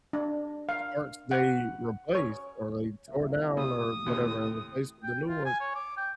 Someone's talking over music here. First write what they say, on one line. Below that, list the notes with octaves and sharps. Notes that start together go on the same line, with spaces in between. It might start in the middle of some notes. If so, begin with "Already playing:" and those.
parts they replaced or they tore down or whatever and replaced with the new ones
D4
F5
F#5
C#5
C2 A#3 E5
C3 D#6
D#2 A2 C3
G5
F4
G#5
C#5
D6
G5